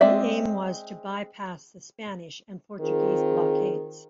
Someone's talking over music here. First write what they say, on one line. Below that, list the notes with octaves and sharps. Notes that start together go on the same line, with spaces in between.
The aim was to bypass the Spanish and Portuguese blockades.
G#3 C4 D5 E5
D#3 C4 F4 G#4